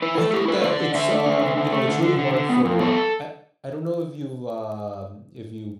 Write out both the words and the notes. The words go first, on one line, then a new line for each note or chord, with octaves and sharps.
I think that it's, um, you know, it's really hard for I I don't know if you've, um if you've
E4 B4
A3 A4
E4 G4
A3 B4
D3 D5
D3
D3 E5
A3
D3
D3
D3
A3
D3
D3
D3
D3
B3
F2
B3 A4